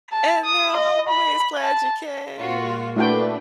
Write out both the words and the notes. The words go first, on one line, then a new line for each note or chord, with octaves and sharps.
"And they're always glad you came."
A5
D#6
D#5
B5
A5
A#2 A#3 F4 F#4
A3 D4 E4 F#4 B4 G5